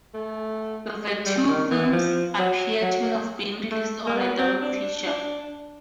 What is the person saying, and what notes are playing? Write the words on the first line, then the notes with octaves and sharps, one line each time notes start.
The two films appear to have been released on a double feature.
A3
G#3
G3
D#3
E3
F3
F#3
F#3
A3
A#3
B3
C4
D4
D4